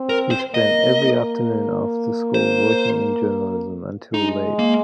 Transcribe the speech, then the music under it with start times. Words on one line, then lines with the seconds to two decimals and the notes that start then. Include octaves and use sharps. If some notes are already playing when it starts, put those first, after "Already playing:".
He spent every afternoon after school working in journalism until late.
Already playing: C4
0.09 A#4
0.31 C5
0.54 A#3 D#5
2.34 C5
4.14 G#3 D#4
4.59 A#3